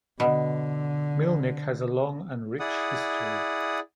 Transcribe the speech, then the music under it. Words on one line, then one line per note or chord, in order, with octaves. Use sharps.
Mielnik has a long and rich history.
B2 D3
E4 G#4 D5 F#5 D#6